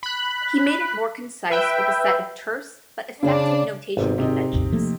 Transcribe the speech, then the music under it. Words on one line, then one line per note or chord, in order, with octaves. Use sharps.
He made it more concise with a set of terse but effective notation conventions.
B5 F#6
B4 E5 G5
C#3 D4
G#1 G#2 C3 B3
C3 C4 D#4
A1 E2
F3 A3 A#3 A4